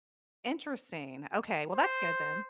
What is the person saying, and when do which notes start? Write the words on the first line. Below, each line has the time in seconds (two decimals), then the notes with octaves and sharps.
Interesting. Okay. Well, that's good then.
1.75 C5